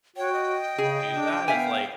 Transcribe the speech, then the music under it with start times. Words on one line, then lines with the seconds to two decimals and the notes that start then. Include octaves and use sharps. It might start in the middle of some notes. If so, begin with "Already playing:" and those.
do that is, like,
0.16 F#4 C#5 G5
0.33 D#5
0.78 C#3 G#4
1.10 D4
1.48 B3 E5 F5 G#5